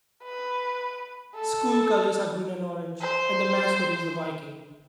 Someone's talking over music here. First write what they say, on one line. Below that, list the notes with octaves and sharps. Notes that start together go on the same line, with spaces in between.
School colors are green and orange, and the mascot is the Viking.
B4
A4
C5